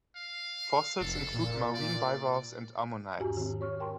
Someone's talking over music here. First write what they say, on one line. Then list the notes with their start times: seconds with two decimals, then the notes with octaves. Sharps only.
Fossils include marine bivalves and ammonites.
0.16 F5
1.01 F1 A4
1.34 A#2
1.75 D5
3.18 E2 G#2 F#4 G4 G#5 A#5
3.37 D#3 C4
3.61 C#5 C#6 F6
3.80 A#4 G5 A5 C6 C#6